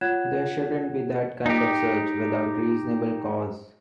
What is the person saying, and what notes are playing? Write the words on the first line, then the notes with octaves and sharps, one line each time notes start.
There shouldn't be that kind of search without reasonable cause.
F4 C#5 F#5 F#6 G#6 E7
D#4 G4